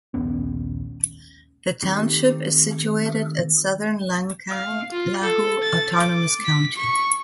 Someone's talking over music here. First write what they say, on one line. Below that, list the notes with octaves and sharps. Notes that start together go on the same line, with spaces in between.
The township is situated at southern Lancang Lahu Autonomous County.
A#1 D#2 B3 C#4
D#3 A3 C4 D#4 G4
F5
F4
A4
A6
D6
B6
C#6